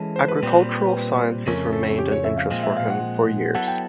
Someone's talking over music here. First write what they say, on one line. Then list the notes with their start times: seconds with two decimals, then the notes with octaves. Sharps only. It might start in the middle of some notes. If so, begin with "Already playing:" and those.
Agricultural sciences remained an interest for him for years.
Already playing: E3 G#3 C#4 E4 A4
0.16 C5
0.28 B4
0.43 A#2 G3 C4
1.46 F2 C#3 F3 A3 C#4 A#4
1.73 A4
1.98 G4
2.12 C#5
2.25 E5
2.38 F5
2.50 A#2 F3 G#3 C4 F5
2.63 E5
2.77 F5
2.90 F#5
3.55 F#3 B3 E4 A4 F#5
3.68 G5